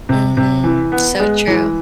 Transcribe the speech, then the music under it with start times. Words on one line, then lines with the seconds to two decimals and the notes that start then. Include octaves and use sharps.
Mhm, so true.
0.09 C3
0.37 C3
0.64 E3
0.92 B3
1.19 G#3
1.47 E3